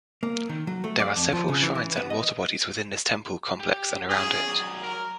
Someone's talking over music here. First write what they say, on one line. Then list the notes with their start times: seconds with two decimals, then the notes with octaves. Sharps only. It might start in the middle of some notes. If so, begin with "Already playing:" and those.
There are several shrines and waterbodies within this temple complex and around it.
0.23 A#3
0.49 D#3
0.67 F#3
0.84 A3
1.00 D5
1.16 F2
1.32 F3
1.49 C#3
1.62 E3
1.75 E3
1.97 B3
2.10 D#5
3.60 G4
4.09 E2 C#4 G#4
4.48 F#3 D5
4.82 A#4